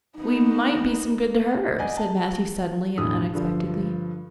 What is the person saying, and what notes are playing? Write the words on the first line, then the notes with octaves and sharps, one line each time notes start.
"We might be some good to her," said Matthew suddenly and unexpectedly.
B3 D#4
D5 D#5 F#5 G#5
A5
E1 A2 D4 D#6
G2 D3 F3